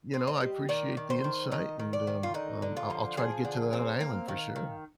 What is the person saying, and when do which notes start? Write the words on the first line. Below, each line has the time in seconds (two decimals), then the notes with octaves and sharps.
you know, I appreciate the insight, and, um, um, I'll I'll try to get to that island for sure.
0.14 C4
0.27 D#5
0.41 G3
0.69 D#3 D5
0.97 D#3
1.10 C5
1.24 D#3
1.52 D#3 D#5
1.79 D#3
1.93 D5
2.07 D#3
2.23 F4
2.34 D3 D#4
2.62 D3
2.77 F4
2.90 F3
3.17 F3 G#4
3.45 D3
3.73 C4
4.00 A#3 F5
4.28 D#3
4.56 D#3